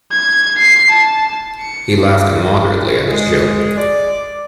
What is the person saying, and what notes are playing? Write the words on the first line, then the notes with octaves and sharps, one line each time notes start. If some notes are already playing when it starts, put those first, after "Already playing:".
He laughed immoderately at his joke.
G#6
C7
A5
C#7
G#3
D5